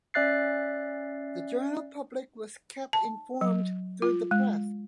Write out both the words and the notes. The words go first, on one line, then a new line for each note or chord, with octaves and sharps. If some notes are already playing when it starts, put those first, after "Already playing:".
The general public was kept informed through the press.
C#4 D5 E5 F#6 A6 C7
A5
F#3
F4
G#3